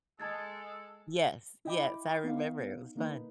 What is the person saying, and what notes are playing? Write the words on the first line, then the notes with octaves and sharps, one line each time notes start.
Yes, yes, I remember it was fun.
G#3 A4 A5 G#6 A6
E4 D#5 G5 B5 D6
B3 D#4 F5
D3 A#3 D#4 B4